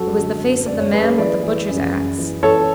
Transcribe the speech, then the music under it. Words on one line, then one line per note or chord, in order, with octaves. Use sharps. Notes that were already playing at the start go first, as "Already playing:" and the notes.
It was the face of the man with the butcher's axe.
Already playing: F#2 F#3 F#4 A4
D3
F#2
F#2 D5
C#5
F#2 G#4 B4
E3 B4 D5
E3
F#2
F#2
E3
E3 A4 C#5